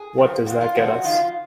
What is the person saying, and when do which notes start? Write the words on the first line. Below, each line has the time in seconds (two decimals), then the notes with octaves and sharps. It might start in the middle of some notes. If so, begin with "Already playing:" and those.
What does that get us?
Already playing: G#4
0.18 F#2 C#3 F3
0.46 A#2 G#3 C4 F4 F#4
0.61 F4
0.75 G#2 F3 C4 D#4 F#4
1.04 C#3 F3 C4 D#4 F4